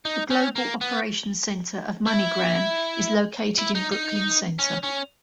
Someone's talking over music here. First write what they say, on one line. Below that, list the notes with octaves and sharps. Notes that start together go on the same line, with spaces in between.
The Global Operations Center of MoneyGram is located in Brooklyn Center.
D#4
C#4
A#3
B3
E4
E4
D#4
D#4
C#4
C#4